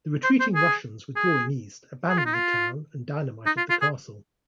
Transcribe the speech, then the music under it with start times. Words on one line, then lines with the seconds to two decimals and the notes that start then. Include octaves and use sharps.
The retreating Russians, withdrawing east, abandoned the town and dynamited the castle.
0.24 C5
0.40 C5
0.55 G#4
1.16 G#4
2.09 G#4
2.18 F4
2.26 D#4
2.34 F4
3.46 D#4
3.58 F4
3.70 F4
3.82 G#4